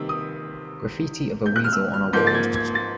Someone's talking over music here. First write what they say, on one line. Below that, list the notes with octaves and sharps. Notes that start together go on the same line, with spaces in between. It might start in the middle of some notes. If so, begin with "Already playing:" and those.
Graffiti of a weasel on a wall.
Already playing: C3 D#3 G3 C4 E6
D#6
G6
F#6
F6
E6
F6
G#2 F3 A#3 G6
A6
G#6
G#6
A6